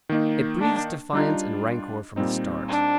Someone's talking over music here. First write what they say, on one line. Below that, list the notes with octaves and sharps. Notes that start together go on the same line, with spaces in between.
It breathes defiance and rancor from the start.
D#3 A#3 D#4
D4
G3 D4 D#4 F4
A#2 G3 C4 D#4
D4